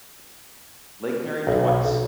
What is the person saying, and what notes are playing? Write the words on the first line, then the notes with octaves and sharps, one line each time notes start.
Lake married twice.
B1